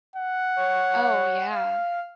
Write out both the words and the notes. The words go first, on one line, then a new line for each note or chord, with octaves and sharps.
oh, yeah.
F#5
C#5
F5